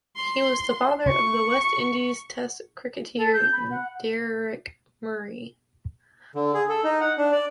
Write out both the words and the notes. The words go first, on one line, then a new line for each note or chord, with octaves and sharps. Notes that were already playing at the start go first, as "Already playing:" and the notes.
He was the father of the West Indies Test cricketer Deryck Murray.
C6
C#6
A4
G6
B5
F#5
D3
G#4
A4
D#4
F#5
D4
D5